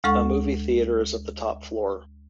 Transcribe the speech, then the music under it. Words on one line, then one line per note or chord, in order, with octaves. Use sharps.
A movie theatre is at the top floor.
D2 G#3 A4 F#5 C#6